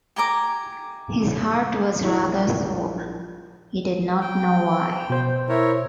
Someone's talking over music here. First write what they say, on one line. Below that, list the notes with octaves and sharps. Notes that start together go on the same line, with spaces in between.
His heart was rather sore; he did not know why.
G4 G#5 A#5 D6
A#1 E4 C#6
G5
B2 C5
E4 A#4 C#5